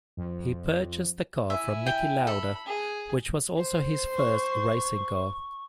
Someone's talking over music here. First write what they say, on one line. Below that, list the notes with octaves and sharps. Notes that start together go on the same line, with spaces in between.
He purchased the car from Niki Lauda, which was also his first racing car.
F2
E4 E5 G#5
G5
A4 B5
G#4
C5
C#6